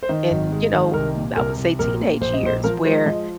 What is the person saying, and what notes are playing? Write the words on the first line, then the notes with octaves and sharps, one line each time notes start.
in you know, I would say teenage years where
C5
D#3 D#5
G#1
G#3
D#3
C2 A#4
A#2
C2 A#4
C2
A#1 A#4
A#2
A#1 C5
D#5
A#1 C5
F3 A#4
G#3 C5
F3 D#5